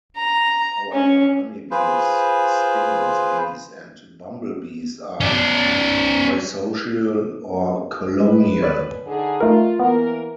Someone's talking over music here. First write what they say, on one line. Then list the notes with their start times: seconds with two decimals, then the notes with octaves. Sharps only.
However, honey bees, stingless bees, and bumblebees are eusocial or colonial.
0.16 A#5
0.92 C#4
1.71 F4 G#4 B4 C5
5.21 C#4 D5
8.20 G#3 B4
8.62 C#5 D5 F#6
9.07 D3 D#4 G#4
9.41 A3 D#4 F4 A#4
9.80 E3 A#3 B3 A#4